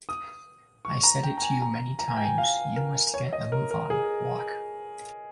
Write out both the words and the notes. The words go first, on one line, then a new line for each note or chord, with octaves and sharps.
I said it to you many times: you must get a move on, walk.
D#6
C#6
A#5
G5
A#5
G#5
A#5
A#5
G#5
G5
G#5
F5
A#4
C#5
D#5
A#4
A#4
G#4